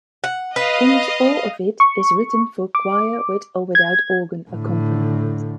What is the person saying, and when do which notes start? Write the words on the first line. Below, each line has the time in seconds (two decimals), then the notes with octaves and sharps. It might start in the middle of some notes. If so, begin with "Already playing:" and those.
Almost all of it is written for choir with or without organ accompaniment.
0.24 F#5
0.56 B4 D#5 F5
1.80 C#6
2.75 D6
3.75 G#6
4.50 A2 D3